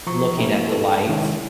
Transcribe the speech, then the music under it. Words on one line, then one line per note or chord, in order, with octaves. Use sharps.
looking at the lights
F3 A#5 C#6
A#3 C#4 E4 G4
A4
C3 D#3 G#3 C#4 E4